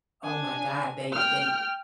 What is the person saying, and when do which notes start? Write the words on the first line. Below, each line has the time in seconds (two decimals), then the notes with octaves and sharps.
oh my god, they they
0.24 D4 G#5
1.12 G5 F6